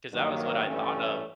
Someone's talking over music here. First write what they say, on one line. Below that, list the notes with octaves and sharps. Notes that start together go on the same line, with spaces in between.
'Cause that was what I thought of
G2 D#3 F#3 A#3
G2 E3 A3 C#4